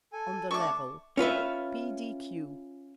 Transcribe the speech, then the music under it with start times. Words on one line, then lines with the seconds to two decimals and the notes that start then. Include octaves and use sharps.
On the level. P.d.q.
0.13 A4 G#5
0.51 A3 D4 A5 C#6 D6
1.17 C#4 F4 B4 E5